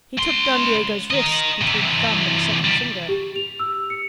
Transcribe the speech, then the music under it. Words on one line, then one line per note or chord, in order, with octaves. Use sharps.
He took Don Diego's wrist between thumb and second finger.
C#2 C6
A#4 D#5
C3 E3
D#3 G3
G4
F7
E6
C#7